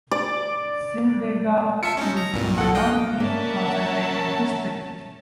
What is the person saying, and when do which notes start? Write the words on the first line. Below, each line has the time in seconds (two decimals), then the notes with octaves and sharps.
Simdega is a minority concentrated district.
0.11 D5
1.83 F4 E5 A5 E6 C#7
1.97 C#4 D#4
2.17 A#5
2.33 C2 G2 A#2
2.58 A4 F#5
2.75 D#5 F5 G5 F6 F#6
3.20 A#3 C#4 D4 A#4 E5 F#5 A5